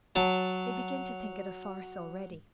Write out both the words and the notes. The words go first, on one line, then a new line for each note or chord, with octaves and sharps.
They begin to think it a farce already.
F#3 A5